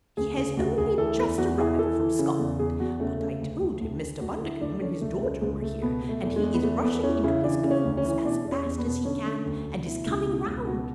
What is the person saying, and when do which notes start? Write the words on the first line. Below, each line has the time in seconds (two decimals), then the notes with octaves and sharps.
He has only just arrived from Scotland; but I told him Mr. Bundercombe and his daughter were here, and he is rushing into his clothes as fast as he can and is coming round.
0.17 D2 G#4
0.37 C#3 G#4
0.57 D2 F#4
0.78 D2 G#4
0.98 E3 A4
1.18 E2
1.38 E2 F#4
1.58 E3 G#4
1.79 E3 A4
1.99 E3
2.19 C#3
2.39 E2
2.59 E2 G#4
2.80 E2 F#4
3.00 C#3 A3
3.20 C#3 A3
3.40 D2
3.60 D2
3.80 D2
4.01 D3
4.21 D2 F#4
4.41 D3 E4
4.61 D2 D4
4.81 D3 C#4
5.01 C#2 A3
5.16 A3
5.22 C#2 G#3
5.42 C#2 G#3
5.62 C#2 A3
5.82 B2 B3
6.02 B2
6.09 A3
6.23 E2
6.36 G#3
6.43 E2
6.54 B3
6.63 E2 A3
6.83 E2 B3
7.03 E3 C#4
7.23 C#3 E4
7.44 E3 D4
7.64 C#3
7.71 C#4
7.84 D2
7.97 C#4
8.04 E3
8.24 B2 D4
8.45 E2
8.51 C#4
8.65 E2
8.78 B3
8.85 B2
9.05 D3 C#4
9.25 D3
9.46 D2
9.66 D2
9.86 B2 E4
10.06 C#2
10.26 B2
10.46 C#2
10.67 B2 F#4